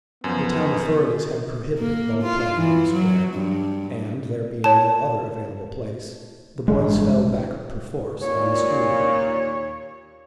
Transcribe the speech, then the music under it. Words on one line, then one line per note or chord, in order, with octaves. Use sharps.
The town authorities had prohibited ball-playing on the Square, and, there being no other available place, the boys fell back perforce on the school-yard.
F#2 F3 B3
A#3
F4
E3
F#3
G2
C#5 A5
A1 G2 G#3
D#2 A#2 C#5